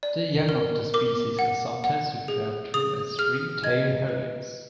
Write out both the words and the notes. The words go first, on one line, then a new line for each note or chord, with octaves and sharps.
The young of the species are sometimes referred to as ring-tail harriers.
D5
A#4
A#4 D6
F#5
F#5
G#4
G#4 D#6
G#4 F6
D#5 G#6
B4